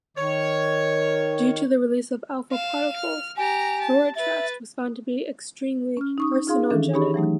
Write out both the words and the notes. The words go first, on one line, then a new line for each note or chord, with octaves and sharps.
Due to the release of alpha particles, Thorotrast was found to be extremely carcinogenic.
D#3 C#5
F5 E7
F6
G4 G#5 A#5
A5
B4 E5 A6
C#4 F6
D#4 C#6 D#6
D#4 F4 G#4 F5 C6
D#3 E3 C#4 D4 A4
D#4 G4 G#4 C#5 B5 C#6
E3 F#3 A3 D#4